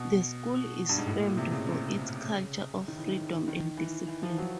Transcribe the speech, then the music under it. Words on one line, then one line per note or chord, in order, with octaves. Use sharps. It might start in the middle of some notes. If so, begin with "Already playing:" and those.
The school is famed for its culture of "freedom and discipline".
Already playing: B2
G2
G#2
A2
A#2
C3
C#3
C3
C#3
D#3
E3
D#3
D#3
E3
E3
F3
F#3